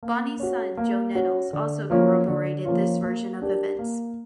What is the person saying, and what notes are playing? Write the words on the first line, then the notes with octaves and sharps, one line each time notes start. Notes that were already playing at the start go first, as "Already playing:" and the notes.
Bonnie's son, Joe Nettles, also corroborated this version of events.
A#3
C#4 F#4
A#3
C#4 F#4
D3
F3 A#3 C#4 F4
D3
F3 A#3 C#4 F4
A#3
D4 G4 A#4
A#3